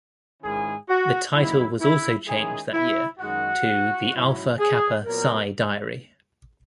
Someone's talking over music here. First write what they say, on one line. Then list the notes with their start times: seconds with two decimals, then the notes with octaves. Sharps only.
The title was also changed that year to "The Alpha Kappa Psi Diary".
0.41 G#2 D#3 G#3 C#4 E4 G#4
0.88 F#4
1.34 F#2 D#3 F#3 A#3 E4
1.80 E4
2.26 D#3 G#3 C#4 E4 G#4
2.73 E4
3.19 F#2 D#3 G#3 D#4 F#4
4.12 G#2 F#3 C#4 E4
4.58 G#4
5.04 A#2 F#3 B3 A#4